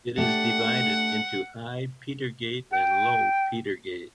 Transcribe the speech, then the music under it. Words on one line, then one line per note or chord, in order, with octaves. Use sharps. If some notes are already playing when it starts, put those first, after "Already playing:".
It is divided into High Petergate and Low Petergate.
A3 D4 G4 F#5
G5